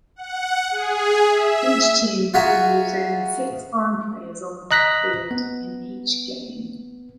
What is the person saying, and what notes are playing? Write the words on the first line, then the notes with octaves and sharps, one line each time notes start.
Each team can use only six foreign players on the field in each game.
F#5
G#4
E5
F4 F#4 G#4 E5 F#5 A#5
D#5 A#5 F#6 A#6 B6
B3